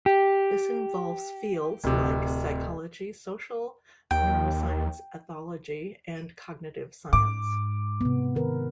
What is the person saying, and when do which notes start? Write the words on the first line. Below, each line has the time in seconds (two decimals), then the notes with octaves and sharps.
This involves fields like psychology, social neuroscience ethology, and cognitive science.
0.06 G4
1.84 D1 C3
4.11 D#2 G5
7.13 G#2 D6
8.01 C3 B3
8.35 D#3 A#4 B4